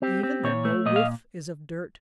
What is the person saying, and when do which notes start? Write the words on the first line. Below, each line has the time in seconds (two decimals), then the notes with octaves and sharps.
Even the low roof is of dirt.
0.02 C4 G4
0.23 C4
0.43 A#2 C#5
0.65 A3
0.86 A#2 D#5
0.96 F5